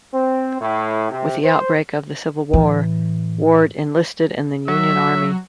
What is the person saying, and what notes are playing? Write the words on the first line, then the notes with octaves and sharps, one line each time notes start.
With the outbreak of the Civil War, Ward enlisted in the Union Army.
C4
A2
C3
C5
A2 E3
F#3 E5